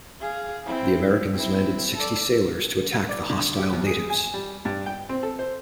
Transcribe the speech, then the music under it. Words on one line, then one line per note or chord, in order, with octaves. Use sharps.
The Americans landed sixty sailors to attack the hostile natives.
G#4 F5
C4 E4
C4 E4
A4 D5
D5
D3
G4
E2
G#4
G#5
G3
G2
G5
C4
A4
C5